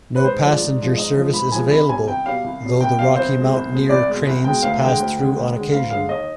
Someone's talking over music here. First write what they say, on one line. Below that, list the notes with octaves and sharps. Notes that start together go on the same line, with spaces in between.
No passenger service is available, though the Rocky Mountaineer trains pass through on occasion.
B4
G#2 C5
F3 G#3 D5
G#2
F3 G#3
G#2 D#5
F3 G#3
G#2 B5
F3 G#3 G#5
C2 B5
B2 G3 G#5
C2 G5
B2 G3 F5
C2
B2 G3
C2 G5
B2 G3 F5
C2 C5
B2 G#3
C2
B2 G#3
C2 D5
B2 G#3
C2
B2 G#3 G5
D2 F5
D3 G#3 G5
D2
D3 G#3
D2
D3 G#3
D2 F5
D3 G#3 F5
D#2 D#5